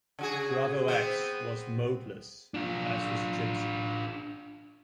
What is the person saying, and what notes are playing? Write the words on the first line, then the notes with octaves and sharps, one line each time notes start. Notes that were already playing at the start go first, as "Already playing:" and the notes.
BravoX was "modeless", as was Gypsy.
C#3 F#4 G#4
B3 C4 C5
D4 F4